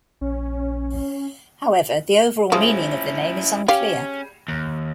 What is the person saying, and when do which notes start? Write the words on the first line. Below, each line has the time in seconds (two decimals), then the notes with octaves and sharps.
However, the overall meaning of the name is unclear.
0.21 A#1 C#4
2.52 F3 G3 G#3 C#4 E4
3.68 C#4 G4 F5
4.48 D#2